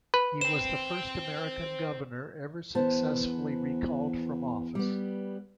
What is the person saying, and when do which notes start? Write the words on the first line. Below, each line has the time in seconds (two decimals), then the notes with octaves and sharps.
He was the first American governor ever successfully recalled from office.
0.14 B4
0.41 C5 G5 E7
2.75 E2 B3 C5 A5
4.75 G3 B3